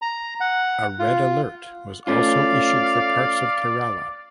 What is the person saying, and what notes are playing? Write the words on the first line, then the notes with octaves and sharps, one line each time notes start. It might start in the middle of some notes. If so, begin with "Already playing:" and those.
A red alert was also issued for parts of Kerala.
A#5
F#5
F4
A3 C#4 F4 D5 F5